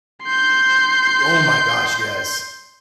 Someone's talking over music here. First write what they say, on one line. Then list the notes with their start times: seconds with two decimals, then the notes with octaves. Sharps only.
Oh my gosh. Yes.
0.25 C6 G6